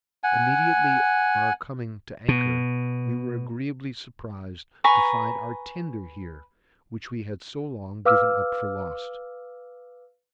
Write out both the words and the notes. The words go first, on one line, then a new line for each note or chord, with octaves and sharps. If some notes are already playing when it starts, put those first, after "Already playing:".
Immediately on our coming to anchor, we were agreeably surprised to find our tender here which we had so long given up for lost.
F#5 G#5
B2
B4 G#5 A#5 C#6
B4 F5 D6 E6 F6